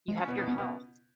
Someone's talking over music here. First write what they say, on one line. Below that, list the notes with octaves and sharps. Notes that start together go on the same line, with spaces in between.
You have your health.
G#3
C#4
B2 B3
B2 B3
C#3 B3 C#4
B2 B3